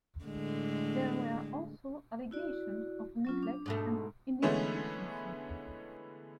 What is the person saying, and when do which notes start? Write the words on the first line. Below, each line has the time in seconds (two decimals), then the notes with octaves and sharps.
There were also allegations of neglect and inefficiency.
0.24 A2 D3 G#3
2.31 E4 F#4 D5
3.25 F#3 C#4 F4
3.43 D4
3.66 G#2 B2 A3
4.42 D3 E3 G#3 A3 B3 C#4